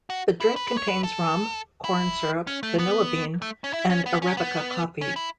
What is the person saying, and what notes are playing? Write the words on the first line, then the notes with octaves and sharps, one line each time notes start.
The drink contains rum, corn syrup, vanilla bean, and Arabica coffee.
F#4
E4
B4
B4
C#5
B4
A4
E4
C#4
A3
B3
A3
C#4
E4
C#4
B3
C#4
B3
C#4
E4